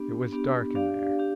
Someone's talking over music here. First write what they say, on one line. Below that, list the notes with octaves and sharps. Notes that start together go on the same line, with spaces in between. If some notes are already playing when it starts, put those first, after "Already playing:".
It was dark in there.
Already playing: B3 D4 G4
B3 D4 G4
D4 G4 D5 F5
D4 G4